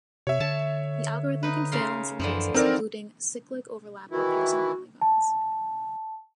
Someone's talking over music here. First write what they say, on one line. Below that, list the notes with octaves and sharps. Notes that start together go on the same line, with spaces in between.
The algorithm can fail in some cases, including cyclic overlap or piercing polygons.
C3 C#5 E5
D3 A5
D#4 B4
C#3 A#4 C6
F#2 D3 E3 F3
C4 D#4 A#4 D5
D#3 E3 E4 F#4
A5